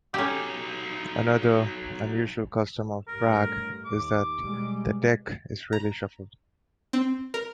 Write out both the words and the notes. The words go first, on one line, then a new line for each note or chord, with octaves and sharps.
Another unusual custom of Brag is that the deck is rarely shuffled.
F#3 C#4 D#4 G4
A1 G2 A#4
D#2 D6
B2 G3 G#3
A#5
C4
A#4